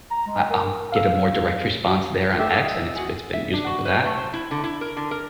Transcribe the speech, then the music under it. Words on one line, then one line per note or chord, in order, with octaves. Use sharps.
I I'll get a more direct response there on X, and it's it's been useful for that.
A#5
G#3
A#4
F5 E6
A3 G4 E5
D#5 E5 E6
F#4 G#4
E5
D4
F#4
B4
A3
C5
E4
D3
E4
A#4
D3
A#4